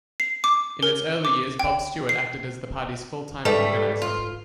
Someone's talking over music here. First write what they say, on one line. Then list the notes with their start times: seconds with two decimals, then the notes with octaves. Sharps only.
In its early years, Bob Stewart acted as the party's full-time organiser.
0.20 C7
0.44 D6
0.83 A#4
1.25 D6
1.59 G5
2.09 C7
3.45 G#2 G3 A3 A4 B4
4.02 F4